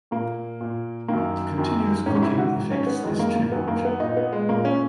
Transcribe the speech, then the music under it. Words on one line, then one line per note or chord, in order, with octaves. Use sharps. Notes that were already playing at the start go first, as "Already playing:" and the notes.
Continuous cooking effects this change.
A#2 A#3
A#2
F#2 D#3 A#3
F#2 D#3
G#2 D#3 C#4
E4
F#4
G#2 D#3
C#4
B3
F#2 D#3 G#3
A#3
A#3
F#2 D#3 B3
A#3
B3
A#2 D#4
B3
G#3
A#2 A#3
C#4